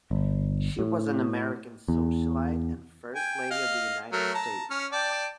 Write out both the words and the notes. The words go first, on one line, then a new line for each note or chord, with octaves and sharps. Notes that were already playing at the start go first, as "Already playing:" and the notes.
She was an American socialite and first lady of the United States.
G1
A2
E2
G5 G#5
D#5 F5
F#3 A3 A#4
A5 A#5
C#4 F6
D5 G5 A5